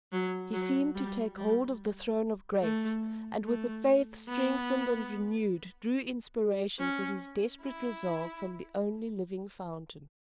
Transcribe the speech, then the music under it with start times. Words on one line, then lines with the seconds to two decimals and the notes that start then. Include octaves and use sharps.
He seemed to take hold of the throne of grace and, with a faith strengthened and renewed, drew inspiration for his desperate resolve from the only living fountain.
0.12 F#3
0.53 F#3
0.95 G3
1.37 G3
2.62 A3
3.46 A3
4.29 B3
6.79 C#4
7.62 E4